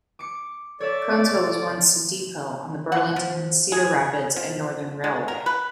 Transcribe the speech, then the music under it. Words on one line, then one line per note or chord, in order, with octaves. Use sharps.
Conesville was once a depot on the Burlington, Cedar Rapids and Northern Railway.
D6 C#7
A4 C#5 D5 E5
F#5
F3
G#4
F3
G#3
A#4
B4